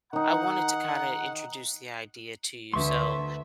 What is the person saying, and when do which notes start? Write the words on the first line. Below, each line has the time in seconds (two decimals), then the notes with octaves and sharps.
I wanted to kinda introduce the idea to you, so,
0.13 D#3 D#4 F#5
2.74 D2 B4 E5 C6 C#6 D#6